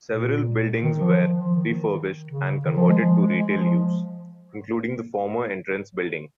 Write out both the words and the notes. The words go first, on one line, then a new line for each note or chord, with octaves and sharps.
Several buildings were refurbished and converted to retail use, including the former entrance building.
A#2
D#3
F3
F3
F3
D#3
C#3
D#3
F3
G#3
F3
G#3
G#3
F3